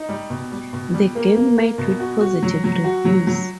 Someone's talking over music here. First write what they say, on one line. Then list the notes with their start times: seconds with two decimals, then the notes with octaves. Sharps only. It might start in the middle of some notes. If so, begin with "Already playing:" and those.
The game met with positive reviews.
Already playing: D#4
0.09 G3
0.30 B2
0.52 G3
0.73 B2
0.94 G3
1.15 A#3
1.36 A#3
1.57 A#3
1.78 B2
2.00 F#4
2.21 F#4
2.43 F#3
2.64 F#3
2.84 F#4
3.05 F#3
3.27 F#3